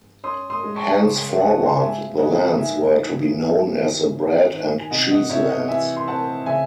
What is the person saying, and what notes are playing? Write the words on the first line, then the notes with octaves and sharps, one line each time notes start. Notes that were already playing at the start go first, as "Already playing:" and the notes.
Henceforward, the lands were to be known as the Bread and Cheese Lands.
C#4 C6 D#6
C6 D#6
G#3
A5 C#6
C#3
C#3 F#5 A5
C6
A5
G#3 E5 G#5
E3 D#5 F#5
D#4 E5 G#5
E3
D#3
D#3
C#4
D#3
G#5
C3 D#5 F#5
D#5 F#5
C3 C#5 E5
D#5 F#5
E3 E5 G#5
C6
C4 F#5 A5
C#3 E5 G#5